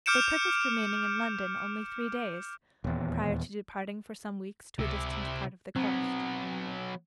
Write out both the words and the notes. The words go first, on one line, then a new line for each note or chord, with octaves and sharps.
They purposed remaining in London only three days, prior to departing for some weeks to a distant part of the coast.
D6 F6 G6 C#7 D7 E7
D#1 E2
C#2 C3 E4
F#3 B3 C4